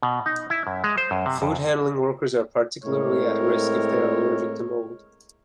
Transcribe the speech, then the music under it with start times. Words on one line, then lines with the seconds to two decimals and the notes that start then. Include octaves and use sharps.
Food-handling workers are particularly at risk if they are allergic to mold.
0.03 B2
0.26 D#4
0.50 E4
0.67 F#2
0.84 G#3
0.97 C5
1.11 F#2
1.26 C3
1.42 F2
2.84 A2 G#3 C4 A#4 C#5